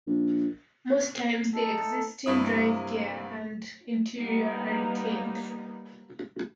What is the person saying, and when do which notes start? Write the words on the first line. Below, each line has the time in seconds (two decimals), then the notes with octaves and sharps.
Most times, the existing drive gear and interior are retained.
0.07 A#1
1.54 A3 D#4 A4
2.26 G2 C3 A#3 E4 D#6
4.17 G3 A#3 B3 D#4